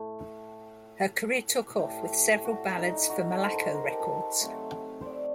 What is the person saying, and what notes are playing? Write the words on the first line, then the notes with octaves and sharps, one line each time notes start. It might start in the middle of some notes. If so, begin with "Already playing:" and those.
Her career took off with several ballads for Malaco Records.
Already playing: A2 A3
A2 A3 G4
F#4
D#4
F#4
A4
C5
A#4
A#4
A4
G4
A4
C3 F#3 A3
C5 D5